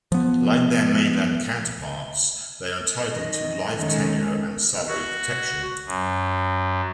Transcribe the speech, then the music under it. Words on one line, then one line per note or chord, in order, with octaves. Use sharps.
Like their mainland counterparts, they are entitled to life tenure and salary protection.
F3 B3
D#3 E3 D#5
F2 D#3 G#3 C#4 D#4 A4
F#4
F#2